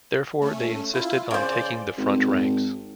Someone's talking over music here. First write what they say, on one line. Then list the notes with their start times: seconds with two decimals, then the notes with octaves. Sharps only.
Therefore, they insisted on taking the front ranks.
0.42 A3 C#4
0.94 E4 F4
1.31 C#3 C5 D5
1.98 G#1